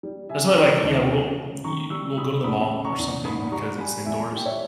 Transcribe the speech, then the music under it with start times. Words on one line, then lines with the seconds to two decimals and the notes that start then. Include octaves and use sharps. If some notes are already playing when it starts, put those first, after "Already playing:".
that's why I like yeah, we'll, y we'll go to the mall or something because it's indoors.
0.03 G3
0.29 C#3 E5 G#5
0.56 E3 G5 A#5
0.83 D#2
1.11 C#3
1.37 C#3
1.64 D#3 A#5 C#6
1.90 G3 C#6 E6
2.18 G3 B5 D#6
2.44 E2 B5 D#6
2.71 C#3
2.85 A#5 C#6
2.98 E2
3.25 G#2 B5 D#6
3.52 G3 A#5 C#6
3.78 G3 G#5 B5
4.05 E2 E5 G#5
4.32 G3 G5
4.45 C#5 E5